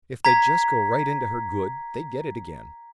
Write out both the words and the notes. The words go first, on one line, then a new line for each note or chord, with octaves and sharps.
If they'd just go right into her good, they'd get it again.
A#5 G#6 B6